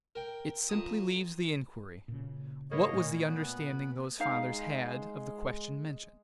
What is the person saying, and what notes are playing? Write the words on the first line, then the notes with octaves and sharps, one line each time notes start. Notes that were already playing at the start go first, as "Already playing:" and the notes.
It simply leaves the inquiry: What was the understanding those fathers had of the question mentioned?
A#4 G5
F2 A5 A#5 D#6
A#2 C#3
A#3 B3 C#5 D#5
A#2 A3
B3
G#3 D#4 F5